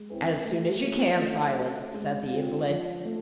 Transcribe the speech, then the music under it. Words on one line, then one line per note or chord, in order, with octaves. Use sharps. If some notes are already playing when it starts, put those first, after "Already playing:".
"As soon as you can, Silas," said the invalid.
Already playing: G#3
C4 E4 G#4 B4
A3
C#4 F4 G#4
A3
C#4 F#4
G#3
C4 F4
F3
A3